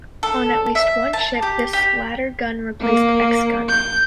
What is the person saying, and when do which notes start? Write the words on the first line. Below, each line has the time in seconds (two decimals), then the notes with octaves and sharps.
On at least one ship, this latter gun replaced 'X' gun.
0.23 A4
0.75 E5
1.13 A5
1.42 G4
1.73 G4
2.81 A#3
3.69 G6